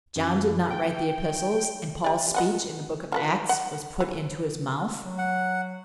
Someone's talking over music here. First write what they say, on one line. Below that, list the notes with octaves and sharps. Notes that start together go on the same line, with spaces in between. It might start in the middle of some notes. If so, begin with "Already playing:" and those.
John did not write the epistles, and Paul's speech in the Book of Acts was put into his mouth!
F#2
G5
G4 D5
D#5 F#5 G#5
F4 A4 B4
F#5
E3
F#3
F#5